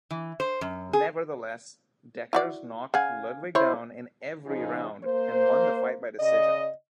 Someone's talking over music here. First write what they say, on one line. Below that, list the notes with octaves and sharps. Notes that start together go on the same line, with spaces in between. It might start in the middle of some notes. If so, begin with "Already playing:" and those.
Nevertheless, Dekkers knocked Ludwig down in every round, and won the fight by decision.
E3
C5
F#2
G#4
E4 F#4 D5
C#3 F5 F#5 G#5
E4 C5 C#5
C#3 F3 D#4 G#4
A#3 C5
C#3 D5 D#5